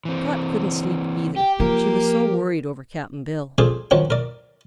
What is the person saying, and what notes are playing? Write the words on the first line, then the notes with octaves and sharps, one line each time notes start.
Trot couldn't sleep, either, she was so worried over Cap'n Bill.
E3 C4
G4 G5
F3 A#3 A#4
D4 F4 G#4 A4 C5 D5
D#3 F3 F#3 D4
A#4 D5